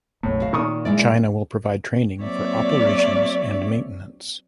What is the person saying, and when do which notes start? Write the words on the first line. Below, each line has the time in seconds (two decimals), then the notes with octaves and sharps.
China will provide training for operations and maintenance.
0.23 F#1 B1 A2
0.40 F#4 F5
0.53 A#2 D#3 C#6 D#6
0.85 G#3 E4 D5
2.21 F#3 A#3 C4 C#5 D5 E5